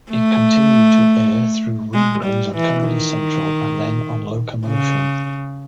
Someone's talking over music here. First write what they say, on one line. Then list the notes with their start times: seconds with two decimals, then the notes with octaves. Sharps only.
It continued to air through reruns on Comedy Central and then on Locomotion.
0.12 A3
1.94 G#3
2.24 G3
2.55 E3
2.85 D#3
4.67 C#3